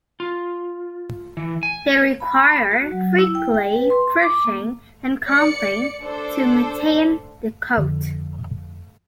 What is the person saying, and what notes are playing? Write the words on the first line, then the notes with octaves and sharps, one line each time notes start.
They require weekly brushing and combing to maintain the coat.
F4
E3
G#5
B5
F#4
F#3
E4
G5
G5
B4
C6
D6
A#3
D5 C#7
D4 A4 C5
F2 D3